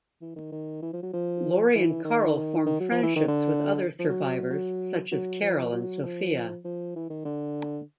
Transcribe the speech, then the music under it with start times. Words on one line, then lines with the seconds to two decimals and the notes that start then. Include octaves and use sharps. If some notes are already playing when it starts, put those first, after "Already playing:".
Lori and Carl form friendships with other survivors such as Carol and Sophia.
0.21 E3
0.36 D#3
0.52 D#3
0.82 E3
0.93 F3
1.03 F#3
1.13 F3
1.75 E3
2.05 D#3
2.66 D#3
2.80 F#3
2.91 F3
3.03 E3
3.16 D#3
3.28 D3
3.99 F3
4.09 F#3
4.50 F#3
5.12 F#3
5.42 F3
5.72 F#3
6.03 F3
6.65 F3
6.96 E3
7.10 D#3
7.25 D3